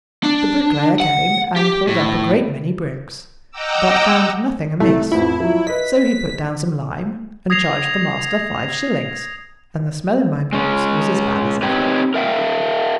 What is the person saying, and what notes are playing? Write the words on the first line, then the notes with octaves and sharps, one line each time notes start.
The bricklayer came and pulled up a great many bricks, but found nothing amiss; so he put down some lime and charged the master five shillings, and the smell in my box was as bad as ever.
D4
F#5
G4
A2
D#5 F#5 G5 A#5 D6 E6
C2 A3
A1 F2 E4
F3 F#3
B4 D#5 B6
D#6 G#6 A#6 C7 F7
G#3 C#4
C4 D#4 G4 B4 C#5
A#4 E5 F5 G5